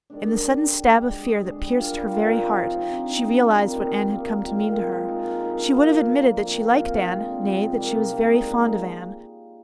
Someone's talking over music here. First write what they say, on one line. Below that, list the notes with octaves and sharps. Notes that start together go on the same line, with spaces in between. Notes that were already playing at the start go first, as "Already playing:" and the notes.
In the sudden stab of fear that pierced her very heart she realized what Anne had come to mean to her. She would have admitted that she liked Anne--nay, that she was very fond of Anne.
D#3 G#3 D4
D3
G3 D4
D3
G3 D4
D3
G#3 D4 G#4
D3
G#3 D4 G#4
G3
D4 F4 A#4
G3
D4 F4 A#4
F3
C4 D#4 G4
F3
C4 D#4 G4
D3
G3 C4 D#4
D3
G3 C4 D#4
D#3
A#3 D#4 G4
D#3
A#3 D#4 G4
D#3
G#3 C4 F4
D#3
G#3 C4 F4
G#3
D#4 A#4
G#3
D#4 A#4
D3
F3 A#3
D3
F3 A#3
F3
C4 F4 A#4
F3
C4 F4 A#4
D3
F3 G#3 C4
D3
F3 G#3 C4
C3
G3 A#3 D#4
C3
G3 A#3 D#4
G#3
D#4 A#4
G#3